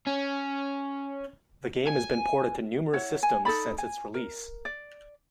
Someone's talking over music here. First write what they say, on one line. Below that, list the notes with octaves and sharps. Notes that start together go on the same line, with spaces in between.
The game has been ported to numerous systems since its release.
C#4
G#5
E4 C#5 F#5
G#5
D#4 A4 D5 B5
G#5
A#4
D5